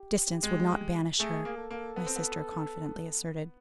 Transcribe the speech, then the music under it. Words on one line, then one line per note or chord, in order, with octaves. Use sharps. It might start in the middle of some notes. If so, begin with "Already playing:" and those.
"Distance would not banish her," my sister confidently asserted.
Already playing: G4
G#3
A3 G#4
A#3
A4
A#3
B3
C4
B3